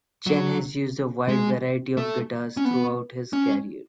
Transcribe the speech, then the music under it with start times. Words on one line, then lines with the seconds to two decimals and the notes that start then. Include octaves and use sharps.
Chan has used a wide variety of guitars throughout his career.
0.27 F#3
1.29 G#3
1.97 A3
2.57 C#4
2.65 B3
3.33 C#4